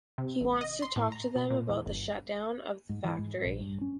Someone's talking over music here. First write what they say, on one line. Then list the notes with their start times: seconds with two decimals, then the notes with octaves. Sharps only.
He wants to talk to them about the shutdown of the factory.
0.18 C3
0.41 A1
0.61 D#5
0.82 C6
0.96 A2
1.12 A#5
1.36 B2
1.50 A#2
1.69 E2
1.86 G1
2.89 G#2
3.04 E3
3.19 G#2
3.45 A#1
3.61 G2
3.81 C#4